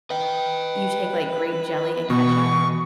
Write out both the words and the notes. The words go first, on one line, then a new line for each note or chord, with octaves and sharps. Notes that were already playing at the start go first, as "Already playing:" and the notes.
you take, like, grape jelly and ketchup
B4 D#5 G5
B2 E3 C#6